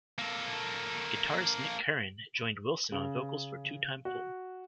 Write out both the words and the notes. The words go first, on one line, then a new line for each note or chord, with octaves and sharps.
Guitarist Nick Curran joined Wilson on vocals for "Two Time Fool".
A#3 A4
C#3
F#4